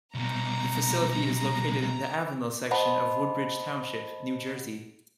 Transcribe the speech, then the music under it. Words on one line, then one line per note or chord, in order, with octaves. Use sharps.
The facility is located in the Avenel section of Woodbridge Township, New Jersey.
C2 B2 A#5
C5 D#5 F#5 A5 B5